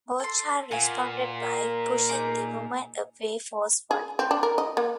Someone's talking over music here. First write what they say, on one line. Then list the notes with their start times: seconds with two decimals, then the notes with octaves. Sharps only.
Bouchard responded by pushing the woman away forcefully.
0.20 A4 C6
0.71 A#2 F#4 F5 G#5
1.39 A#4
2.09 D#4 G#4 D6
3.91 G#4
4.19 C4
4.31 D4
4.43 A#4
4.58 D#5
4.77 A#3